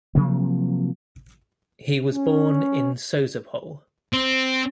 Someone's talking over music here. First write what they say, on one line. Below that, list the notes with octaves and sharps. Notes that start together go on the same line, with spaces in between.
He was born in Sozopol.
C3 F3 F#3 A#3
C#4
C4